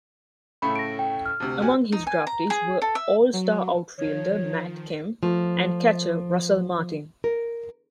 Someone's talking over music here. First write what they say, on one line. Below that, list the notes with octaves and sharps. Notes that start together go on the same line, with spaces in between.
Among his draftees were All-Star outfielder Matt Kemp and catcher Russell Martin.
A2 C#3 A3 B5
A#6 D7
G5
F6
D2 C3
F#4 G4 G#5
D#4
G#5
A#5
G#4
A4
E5
F#3
D#3 F3 C#5
F3 A3
A#4